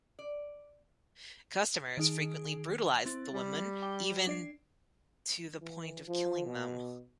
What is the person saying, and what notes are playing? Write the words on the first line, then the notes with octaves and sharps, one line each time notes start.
Customers frequently brutalized the women, even to the point of killing them.
D5
D#3 D#4 G#4 D7
C4 E4 A6
G3
G5 D6 G7
D4 D5 C7
E3
F3
B2